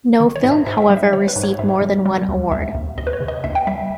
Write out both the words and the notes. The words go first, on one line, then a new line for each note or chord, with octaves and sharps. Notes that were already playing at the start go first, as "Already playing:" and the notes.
No film however received more than one award.
D#3
C#5
G#2 D#5
E5
G#2 E5
G5
E5
G3
E5
D#3 C#5
B4
G#2
C#5
G#2 E5
G3
G3
D#2
D#2 E5
D#2
D#2 D#5
B4
C#5
C#3
D#5
D#2 E5
G5
G3 E5